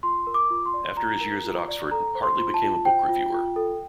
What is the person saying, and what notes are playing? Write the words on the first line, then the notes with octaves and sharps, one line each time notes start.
After his years at Oxford, Hartley became a book reviewer.
F4 C6
A#4
D6
F4
C6
D5
F4 A#5
A#4
F4
D5
A4 A#5
C5
C6
F4
A5
F4
C5 G5
F4
F4
A4